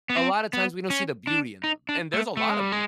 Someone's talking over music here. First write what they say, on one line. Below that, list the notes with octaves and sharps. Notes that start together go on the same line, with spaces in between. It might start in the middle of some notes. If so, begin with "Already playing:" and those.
a lotta times, we don't see the beauty in them, and there's a lot of it.
B3
C4
B3
C#4
D4
D#4
D4
A3
A3
G#3
G3
G#3